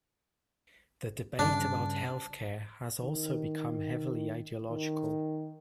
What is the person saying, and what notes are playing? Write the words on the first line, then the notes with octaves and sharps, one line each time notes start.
The debate about health care has also become heavily ideological.
G2 C#3 D4
D#3
D#3